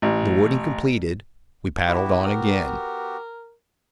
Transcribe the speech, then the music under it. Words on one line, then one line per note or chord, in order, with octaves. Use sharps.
The wooding completed, we paddled on again.
A1
B3 E4 F#4 G4
A#4